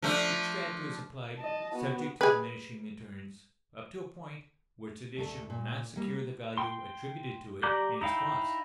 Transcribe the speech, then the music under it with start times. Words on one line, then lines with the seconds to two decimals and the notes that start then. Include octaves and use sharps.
Each factor is applied, subject to diminishing returns, up to a point where its addition will not secure the value attributed to it in its cost.
0.02 F3 A3 D4
1.37 D#5 A5
1.75 B3 F#4
2.21 G#4 B4
5.16 D2 A3 A4
5.50 A#2
5.96 G3 A#3
6.58 G5 C6
7.63 G4 D5 A#5 D6 G6
8.01 D#4 E4 F5 G5